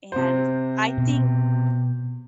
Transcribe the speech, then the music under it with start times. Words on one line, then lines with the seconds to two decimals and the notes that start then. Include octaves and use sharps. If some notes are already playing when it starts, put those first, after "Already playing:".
and I think
0.12 C3 C5
0.98 B2